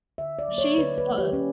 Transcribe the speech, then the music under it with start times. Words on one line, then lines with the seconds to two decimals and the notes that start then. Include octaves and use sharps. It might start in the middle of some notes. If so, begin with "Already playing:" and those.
She's a
0.18 D3 E5
0.39 D5
0.48 F#3 A#3
0.58 C#5
0.78 D3 B4
0.98 B4
1.08 F#3 A#3
1.18 G4
1.33 C#4